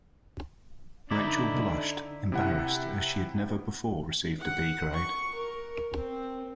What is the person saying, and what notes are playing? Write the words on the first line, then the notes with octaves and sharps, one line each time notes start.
Rachel blushed, embarrassed, as she had never before received a B grade.
D3 D#4 E4 D5
C3 E4 F#5
F#5
C#6
A#4
C4